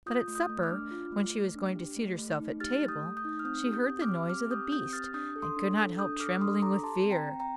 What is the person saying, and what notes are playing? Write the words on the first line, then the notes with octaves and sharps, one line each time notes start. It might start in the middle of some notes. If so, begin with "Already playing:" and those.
But at supper, when she was going to seat herself at table, she heard the noise of the beast, and could not help trembling with fear.
F4 D#6 G6
A3
D#6 G6
A3
D6 F6
D4
F4
A3
A3
D4
G4
A3
A3
D#4
G4 F6 A6
A3
D#6 G6
A3
D#6 G6
D#4
F6
C4 D#6 G6
G4
D#6 G6
C4
D6 F6
G4
C4 D6 F6
G4 D#6 G6
C4 D#6 G6
G4 F6 A6
D4 D#6 G6
A4
C6 D#6
D4
A4
D4 D#6 G6
A4 D6 F6
D4 C6 D#6
A4 A#5 D6
G4 A5 C6
C4
G5 A#5
C4
G5 A#5